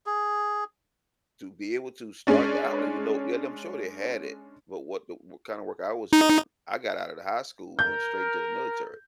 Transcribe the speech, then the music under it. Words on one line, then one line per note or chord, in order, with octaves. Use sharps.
to be able to start that I don't even know yeah, I'm sure they had it, wh what the w the kinda work I was doing, I got outta the high school, went straight into the military,
G#4
G#3 C#4 D4
D#4
A#4 G6